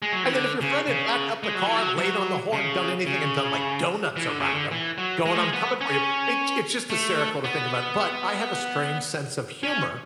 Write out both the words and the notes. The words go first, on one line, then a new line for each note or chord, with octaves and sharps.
And then if your friend had backed up the car, laid on the horn, done anything, and done, like, donuts around him going, "I'm coming for you." It it's just hysterical to think about it, but I have a strange sense of humor
G#3
F#3
E3
D3
C#3
C#3
G#3
F#3
E3
F#3
F#3
C#3
C#3
E3
D3
C#3
D3
E3
F#3
G#3
A3
G#3
B3
C#4
A3
B3
C#4